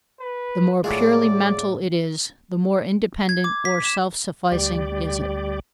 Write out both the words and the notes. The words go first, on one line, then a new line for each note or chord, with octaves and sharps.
The more purely mental it is, the more independent or self-sufficing is it.
B4
A2 F#3 G#3 F4 D5
G#6
D6
B6
E7
D2 G3 G4 D5